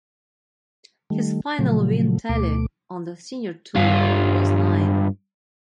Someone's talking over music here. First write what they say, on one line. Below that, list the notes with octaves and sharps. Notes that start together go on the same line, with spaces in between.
His final win tally on the Senior Tour was nine.
D#3 G3 A3
A#2 C#3 F3 F#3 A3
D2 B2 A3 D6
G2 F4